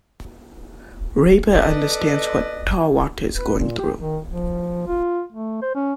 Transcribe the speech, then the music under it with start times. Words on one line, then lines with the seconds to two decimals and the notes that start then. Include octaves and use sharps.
Rayber understands what Tarwater is going through.
1.54 A4 B4 D5 D#5
3.34 B4
3.59 A#2
3.78 G4
3.98 D#3
4.29 F3
4.87 F4
5.33 A3
5.62 C5
5.75 C#4